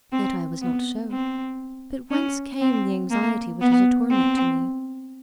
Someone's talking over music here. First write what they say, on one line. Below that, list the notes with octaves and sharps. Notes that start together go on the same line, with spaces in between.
Yet I was not so; but whence came the anxiety which was a torment to me?
C4
B3
C4
C#4
C4
A#3
B3
C4